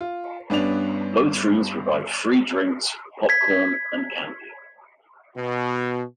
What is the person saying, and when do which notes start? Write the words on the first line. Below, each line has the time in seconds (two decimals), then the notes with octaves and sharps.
Both rooms provide free drinks, popcorn and candy.
0.01 F4
0.50 G2 B3 C#4 D4 F7
3.29 G#6 B6
5.37 B2